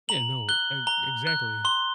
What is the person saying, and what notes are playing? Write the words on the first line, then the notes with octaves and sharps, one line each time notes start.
Yeah, no, e exactly.
A#5 F#7
F#6 G7
A#5 G7
F#6
C6 G7